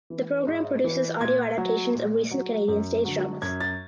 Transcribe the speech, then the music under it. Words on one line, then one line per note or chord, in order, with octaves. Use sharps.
The program produces audio adaptations of recent Canadian stage dramas.
E3
G#2
E3
A#2 G#6
F#3
A#2
F#3
F#2
D3 F#3
F#2 G#6
A6